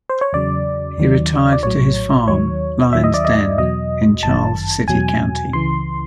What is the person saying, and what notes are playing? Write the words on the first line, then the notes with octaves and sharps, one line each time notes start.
He retired to his farm, Lion's Den, in Charles City County.
C5
C#5
E2 C#3 F#3 D5
D#2 D#3 F#3
D5
A#1 A2 F#3 C#5
D#2 D#3 F#3 C#5
D#2 D#3 F#3 E5
D#5
D5
D#5
E2 B2 F#3 D#5
G1 F#2 D#3 A5
E2 B2 F#3 G#5
C#2 C#3 E3 C6